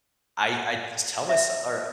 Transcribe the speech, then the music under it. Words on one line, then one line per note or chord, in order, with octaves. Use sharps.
I I just tell myse or
E5